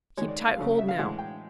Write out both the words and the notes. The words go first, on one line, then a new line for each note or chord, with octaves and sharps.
Keep tight hold now.
D#3 G#3 C#5
D5
F5
C#3 F#3 A3
E5
F5
A2 E3 G#3 F#5
G5